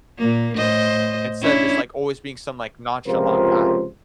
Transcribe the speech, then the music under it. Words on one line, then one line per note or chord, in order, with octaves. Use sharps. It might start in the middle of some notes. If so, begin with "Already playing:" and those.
instead of just, like, always being some, like, nonchalant guy.
A#2 A#3
A2 C5 D#5
C#4 D4 E4
C#2 C3 F3 F4 A#4 C5